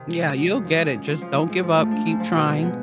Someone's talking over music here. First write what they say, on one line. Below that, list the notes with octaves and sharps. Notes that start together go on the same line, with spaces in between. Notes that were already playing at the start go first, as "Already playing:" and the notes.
Yeah, you'll get it, just don't give up, keep trying,
Already playing: C3 D#3
G#3
C4
F#2
D#3
F3
G#3
C#4
F4
F3
G#3
G#2
F3
A3
D4
G#2
F3
B2
G#3
B3